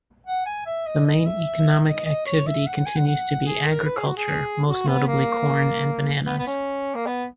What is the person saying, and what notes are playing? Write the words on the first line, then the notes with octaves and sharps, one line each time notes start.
The main economic activity continues to be agriculture, most notably corn and bananas.
F#5
G#5
E5
D#5
D#5
E5
D#5
D#5
C#5
E5
F#5
F#5
G#5
F#5
F#5
G#4
A#4
B4
G#4
F#4
G#4
F#4
B3
A#3
B3
B3
C#4
A#3
B3